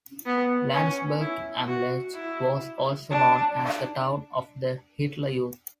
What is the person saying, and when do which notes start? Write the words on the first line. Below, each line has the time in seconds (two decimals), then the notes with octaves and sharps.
Landsberg am Lech was also known as the town of the Hitler Youth.
0.26 B3
0.73 C#4
1.20 E4
1.67 F#4
2.15 E4
3.11 D4